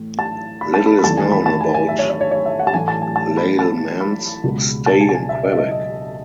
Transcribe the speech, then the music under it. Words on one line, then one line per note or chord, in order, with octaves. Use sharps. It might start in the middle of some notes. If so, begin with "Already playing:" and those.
Little is known about Lalemant's stay in Quebec.
Already playing: A2 E3 A3
A5
B5
A5
B5
B5
E2 D#3 A3 A5
G#5
B5
A5
G#5
G#5
E5
C#5
C#5
C#5
C#5
E5
F#5
A5
A2 E3 A3 G#5
A5
G#5
A5
B5
A5
B5
C#2 B2 G#3
A5
G#5
A5
G#5
E5
D#5
E5
D#5
D#5